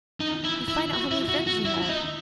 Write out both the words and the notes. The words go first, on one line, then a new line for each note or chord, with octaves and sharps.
You find out how many friends you have.
D#4
E4
E4
F#4
E4
F#4
F#4
E4
E4
D#4